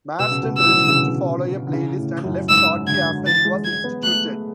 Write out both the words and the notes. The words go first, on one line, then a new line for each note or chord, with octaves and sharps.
Marsden refused to follow a playlist and left shortly after it was instituted.
B2 E6
C#3
B2
A2 E6
F#3
E3
D3
C#3
B2
D3
C#3
A2
F#2
G#2 E6
D3 G#6
E3 A6
G#3
G#3 G#6
B3
A3 F#6